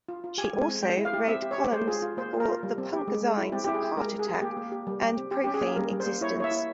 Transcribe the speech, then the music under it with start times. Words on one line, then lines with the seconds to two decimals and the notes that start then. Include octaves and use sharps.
She also wrote columns for the punk zines Heartattack and Profane Existence.
0.09 F4
0.24 F4
0.38 G4 G#5
0.54 G#3
0.61 G#5
0.68 C4
0.83 G#3 G5
0.97 E4
1.05 F5
1.13 G4
1.28 C4 E5
1.42 G4
1.51 C#5
1.58 G4
1.72 G#3 C5
1.88 F4 G#4
2.02 F4
2.17 A#3 C5
2.33 F4
2.40 A#4
2.48 F4
2.63 G3
2.78 C4
2.93 G4
3.08 G#3
3.22 G#3
3.37 E4
3.52 C4 G4
3.64 E4 G4
3.74 G#4
3.82 G4
3.97 G#3 A#4
4.12 G#3
4.19 G#4
4.27 G4
4.42 A#3 G4
4.57 A#3
4.72 G4
4.87 G3
5.02 G4
5.17 C4
5.31 G4
5.44 C#4 G4
5.54 G#4
5.61 A#3
5.76 G3 A#4
5.91 G3
6.00 C5
6.06 A#3
6.21 E4 C#5
6.36 A#3 C#5
6.44 E5
6.51 E4